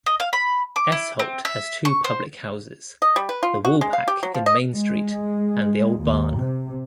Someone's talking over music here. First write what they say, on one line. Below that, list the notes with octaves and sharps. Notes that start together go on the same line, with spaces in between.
Esholt has two public houses, The Woolpack in Main Street and The Old Barn.
D#5
F5
B5
D6
E4
C4
E5
C#6
C5
D#5
G3
B4
F4
F#4
G#3
F5
G4
F#3
F3
D#5
G#3
D#2
C3